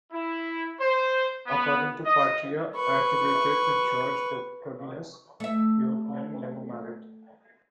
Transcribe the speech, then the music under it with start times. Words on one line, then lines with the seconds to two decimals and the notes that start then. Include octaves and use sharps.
According to "Patria", attributed to George Codinus, Euphemia never married.
0.12 E4
0.80 C5
1.47 B3
2.05 D#5
2.75 B4 C#6
5.40 A3 E5